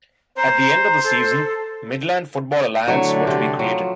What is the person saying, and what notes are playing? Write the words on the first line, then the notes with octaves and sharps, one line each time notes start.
At the end of the season Midland Football Alliance were to be created.
C5 A#5
A4
D3 F#3 A3 E4 C#5
C3
F3 F#3